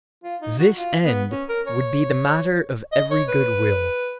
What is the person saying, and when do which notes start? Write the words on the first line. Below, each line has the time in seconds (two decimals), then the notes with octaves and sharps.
This end would be the matter of every good will.
0.24 F4
0.42 D#4
0.59 F#4
0.78 F4
1.05 B3
1.32 C#4
1.49 A#4
1.67 C#5
2.92 D#5
3.11 C#5
3.29 B4